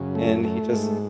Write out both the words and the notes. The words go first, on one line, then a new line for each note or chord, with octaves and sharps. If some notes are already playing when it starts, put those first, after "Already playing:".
and he just
Already playing: F#2 C#3
A3
A3
G#2